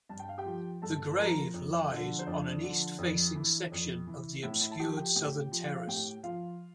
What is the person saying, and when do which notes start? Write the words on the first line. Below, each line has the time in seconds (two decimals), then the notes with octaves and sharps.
The grave lies on an east-facing section of the obscured southern terrace.
0.09 G2 A5
0.19 G5
0.29 F5
0.38 G4 G5
0.46 F3
0.82 G2 A4 A5
1.10 A5
1.18 F3 A#4 A#5
1.54 F2
1.91 D3 F3
2.19 C5
2.27 F2 D4 D5
2.63 D3 F3
2.98 F2
3.35 E3
3.72 F2
4.07 E3
4.43 A2 E4 E5
4.61 E4 E5
4.71 A5
4.79 F3 G4 G5
4.97 G4 G5
5.16 A2 G4 G5
5.52 F3
5.76 F5
5.87 A2 G4 G5
6.23 F3 F4 F5